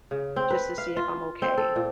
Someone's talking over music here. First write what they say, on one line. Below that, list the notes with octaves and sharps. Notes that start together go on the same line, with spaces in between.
just to see if I'm okay.
C#3
C4
B4
F5
F4
C4
A4
A#2